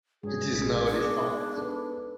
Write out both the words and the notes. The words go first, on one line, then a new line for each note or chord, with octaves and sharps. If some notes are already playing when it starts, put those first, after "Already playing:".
It is now defunct.
G2 F#3 G#3 G#4
A1 A2 B6
B3 D4 D#4
A4 B4